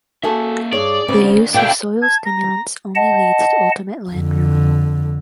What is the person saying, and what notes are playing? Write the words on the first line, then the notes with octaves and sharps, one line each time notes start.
The use of soil stimulants only leads to ultimate land ruin.
A#3 F#4 G#4 A4 E5
G2 G#4 C#5 D5
D2 C#3 C4 B4
B2 D3 D4 E4 F5 G5
A5 G#6
A#5 A#6
D#5 F#5 A5
F2 D3